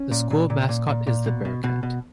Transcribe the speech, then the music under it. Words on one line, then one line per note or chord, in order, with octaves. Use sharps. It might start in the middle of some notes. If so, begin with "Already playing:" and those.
The school mascot is the Bearcat.
Already playing: C#4
A#2
A#2
A#2
A#2
A#2
A#2
B2
B2
B2
B2